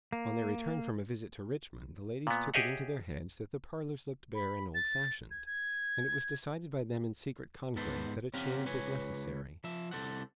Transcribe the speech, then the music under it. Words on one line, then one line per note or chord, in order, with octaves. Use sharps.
On their return from a visit to Richmond the ladies took it into their heads that the parlors looked bare and old-fashioned, and it was decided by them in secret conclave that a change was necessary.
A#3
A#2 B3
G4 G#4 C#5 D#5 E5 F#5
B5
A6
G#6
G#6
G#2 B3 A4 B4 C5
C4 C#4 G4 A#4 F5 F#5
C#2 B4 C#5 G#5
F3 E5
C2 A4 C5 F#5